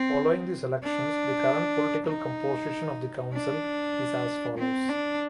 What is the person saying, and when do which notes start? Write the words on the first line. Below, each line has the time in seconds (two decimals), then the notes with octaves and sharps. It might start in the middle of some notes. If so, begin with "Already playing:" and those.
Following these elections the current political composition of the council is as follows.
Already playing: C4
0.83 D4
2.08 D#4
3.33 D4
4.58 C4
4.89 D4